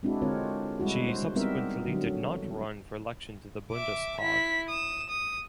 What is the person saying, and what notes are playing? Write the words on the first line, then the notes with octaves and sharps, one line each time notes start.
She subsequently did not run for election to the Bundestag.
G#3 C4 D4 E4 F#4
D3 G#3 C4 F4 A#4 C#5
G3 G#3 E4 F#4
C5
G3 B3 C4 D#4 A#4 E5
D3 F#3
E5 D6
E4 B6
D#6 E7
D#6